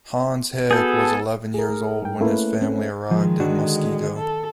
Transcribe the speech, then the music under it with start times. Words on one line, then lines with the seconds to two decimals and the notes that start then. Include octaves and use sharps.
Hans Heg was eleven years old when his family arrived in Muskego.
0.71 B3 F#4 G#4 A4 G6
1.54 G#4 A#4
1.69 A3
2.02 G2 G5
2.21 A3 A#3 C#4 E4 B4
2.61 A3 C4 C#4
3.11 D#3 F3 G#3
3.40 D3 D4 F#4
4.19 A4